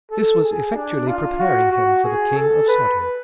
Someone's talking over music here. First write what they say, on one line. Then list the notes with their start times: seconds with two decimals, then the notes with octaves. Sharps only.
This was effectually preparing him for the king of Sodom.
0.11 A4
0.43 G#4
0.75 D4
1.07 F4
1.40 F#4
1.71 F#4
2.04 G#4
2.36 A4
2.68 B4